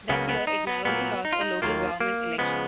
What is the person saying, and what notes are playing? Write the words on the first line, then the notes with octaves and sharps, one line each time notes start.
That year it narrowly lost a local government election.
C#2 C#3 F#3 A#3 B3
B3
D#4
B3
A#2 F#3 A#3 B3
D#4
F4
D#4
D#2 D#3 F#3 A#3 F4
A#3
C#3 F3 G#3 B3